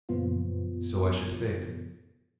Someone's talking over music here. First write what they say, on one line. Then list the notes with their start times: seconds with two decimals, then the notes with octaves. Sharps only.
"So I should think."
0.09 F#2 A#2 C#3 F3 B3 F4